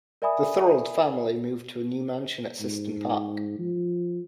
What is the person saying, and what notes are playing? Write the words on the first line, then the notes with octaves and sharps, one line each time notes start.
The Thorold family moved to a new mansion at Syston Park.
A#4 D5 E5 G#5 B5 D#6
G#2
F3